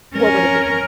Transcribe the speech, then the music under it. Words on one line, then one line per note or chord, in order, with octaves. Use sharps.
what would it be?
C#4 A#4